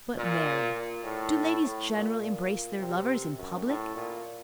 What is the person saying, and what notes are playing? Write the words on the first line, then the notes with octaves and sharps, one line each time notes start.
"But, Mary,--do ladies generally embrace their lovers in public?"
A#2
A#2
A2
A2
A#2
A#2
C3
F#2
A2
A#2